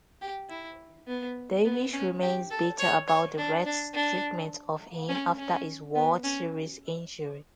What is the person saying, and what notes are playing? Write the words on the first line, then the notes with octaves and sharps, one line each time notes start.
Davis remains bitter about the Reds' treatment of him after his World Series injury.
G4
E4
B3
B3
C#4
G4
A4
C#5
C#5
D4
D4
D4
C#4
C#4
B3
C#4